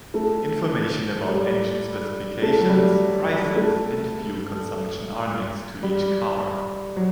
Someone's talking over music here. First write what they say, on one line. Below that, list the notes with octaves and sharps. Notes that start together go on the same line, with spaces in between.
Information about engine specifications, prices and fuel consumption are next to each car.
A3
G3
A3
F#3
G3
A3
G3
F#3